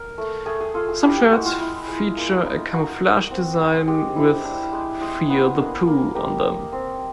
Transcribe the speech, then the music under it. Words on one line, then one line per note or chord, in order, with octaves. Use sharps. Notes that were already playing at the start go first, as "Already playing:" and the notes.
Some shirts feature a camouflage design with "Fear the Poo" on them.
Already playing: A#4
A3
A3 G#4
G#4
F4 A4
G#4
E4 G4
G4
G#3 F#4
F4
E4
G#3
A#3
D#4
D#4 F#4
D#4
C4
G#3
G#3 G4
E4
D4
G#3
G#3 G#4
B3
A#3
A#3
D#4 G4
A#3
C4